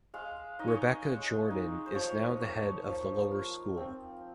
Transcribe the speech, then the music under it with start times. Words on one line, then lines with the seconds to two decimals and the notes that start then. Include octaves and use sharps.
Rebekah Jordan is now the Head of the Lower School.
0.14 G#3 F5
0.59 D#4 D#5
0.67 C#5
0.75 D#5
1.05 G#3
1.50 D#4
1.86 C5
1.95 F3 C#5
2.32 D#5
2.41 A#3 C#5
2.86 F3
3.31 F4
3.77 C4